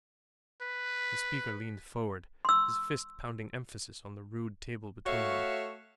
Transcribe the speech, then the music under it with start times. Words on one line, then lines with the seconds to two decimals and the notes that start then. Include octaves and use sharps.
The speaker leaned forward, his fist pounding emphasis on the rude table between them.
0.62 B4
2.45 C6 E6
5.06 A3 F#4 C#5 E5 F5